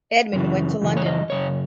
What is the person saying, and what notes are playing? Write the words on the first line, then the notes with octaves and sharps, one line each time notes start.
Edmund went to London.
F#2 C#3 E3
F#2 C#3 E3
C#5
D#5
F#2 C#3 C#5